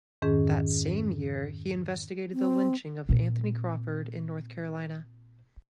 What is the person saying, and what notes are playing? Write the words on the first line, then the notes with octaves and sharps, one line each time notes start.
That same year he investigated the Lynching of Anthony Crawford in North Carolina.
F2 G#2 D#3 C#4 G#4
C4
A#2 C4